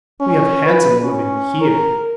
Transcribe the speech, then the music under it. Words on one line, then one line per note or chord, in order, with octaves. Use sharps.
"We have handsomer women here."
C#4
B4
C#4
A#4